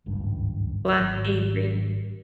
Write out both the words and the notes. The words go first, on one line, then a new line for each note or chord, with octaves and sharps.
Black tea, green
D1 G#1 C#2 G2
G#1